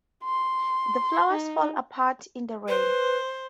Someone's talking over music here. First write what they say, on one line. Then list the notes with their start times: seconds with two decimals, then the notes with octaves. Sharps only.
The flowers fall apart in the rain.
0.24 C6
1.31 D#4
2.68 B4 C5